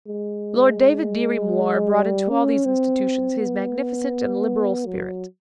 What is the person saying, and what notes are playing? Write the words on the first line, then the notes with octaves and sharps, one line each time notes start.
Lord David Dirry-Moir brought into all these institutions his magnificent and liberal spirit.
G#3
G3
C#4
C4
B3
F#3